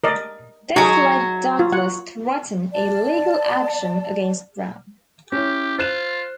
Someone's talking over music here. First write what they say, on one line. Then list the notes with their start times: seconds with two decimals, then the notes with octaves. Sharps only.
This led Douglas threaten a legal action against Brown.
0.04 A#4 D5 D#5
0.76 F#3 D#4 F#4 G#4
1.59 F4
1.72 F#5
2.72 D5 A5
5.32 C#4 E4 G4
5.79 F4 C5 F#6 E7